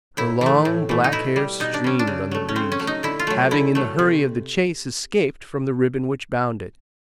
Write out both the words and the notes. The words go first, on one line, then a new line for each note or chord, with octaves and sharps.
Her long black hair streamed on the breeze, having in the hurry of the chase escaped from the ribbon which bound it.
A2 E4
E3 A3
A2
E3 A3
D#4
B2 E4
G3
B2 D#4
D4
G3 C#4
D4
C#3
F#3 A3
C#4
C#3 C4
C#4
F#3 A3
D#4
D3 E4
F4
F#3 A3
D3 E4
F#3 A3
C3